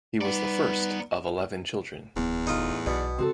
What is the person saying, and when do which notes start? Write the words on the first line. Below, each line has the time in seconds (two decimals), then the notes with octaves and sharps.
He was the first of eleven children.
0.21 G3 B3 D#4 B4 D5 F#5
2.16 D1 E2 B3
2.47 A2 D#4 F4
2.86 B1 B2 D5
3.18 C#3 C4 F#4 A4